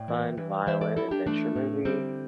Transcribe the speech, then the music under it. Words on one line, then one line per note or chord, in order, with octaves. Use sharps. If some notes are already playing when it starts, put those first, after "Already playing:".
fun, violent adventure movie
Already playing: A2 D5 G5
E3
E3
E3 C5 E5
A4 D5
G3 E4 A4
D4 G4
E3 A3 D4
A2
D3 G3 C4